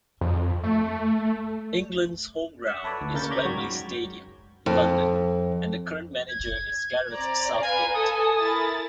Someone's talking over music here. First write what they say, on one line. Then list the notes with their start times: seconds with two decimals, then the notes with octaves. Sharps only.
England's home ground is Wembley Stadium, London, and the current manager is Gareth Southgate.
0.21 F2
0.63 A3
2.67 E5 F#5
2.84 A4 B4 C#5 D5
3.01 D2
3.14 C#3 A#3 C#4 A#4 G6 A6
3.30 C#5 D5 A#5 B5 G6 G#6
3.45 G#2 F#3 C#5 G5
4.66 F2
6.29 G#6
7.13 C4 D5 A#5
7.61 B4 F5 G#5
7.94 A4 G#5 D#6
8.39 E4 A#4 A6